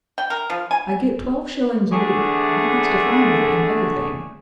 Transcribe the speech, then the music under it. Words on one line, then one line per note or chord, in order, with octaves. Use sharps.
"I get twelve shillings a week, and that has to find me in everything!"
G5
A#4
F3
G#5
E2 D3 A3 D4 G#4